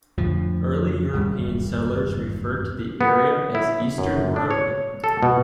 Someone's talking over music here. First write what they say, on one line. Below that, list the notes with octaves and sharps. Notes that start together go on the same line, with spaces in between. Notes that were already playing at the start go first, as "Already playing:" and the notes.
Early European settlers referred to the area as Eastern Road.
F2 A2 D3 F3
G#1 E2 G2 G3
B3
E4
F#2
D4
C#5
A4
B2